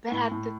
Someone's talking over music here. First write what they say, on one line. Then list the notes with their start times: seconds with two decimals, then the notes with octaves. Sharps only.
but at the
0.12 A2
0.32 A2